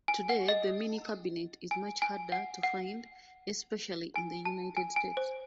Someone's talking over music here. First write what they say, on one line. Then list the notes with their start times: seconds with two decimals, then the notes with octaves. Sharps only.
Today the mini-cabinet is much harder to find, especially in the United States.
0.08 G#5
0.29 F#5
0.48 D#5
1.71 G#5
2.02 G#5
2.32 F#5
2.63 F#5
4.16 G#5
4.45 A5
4.77 G#5
4.96 G#5
5.17 C5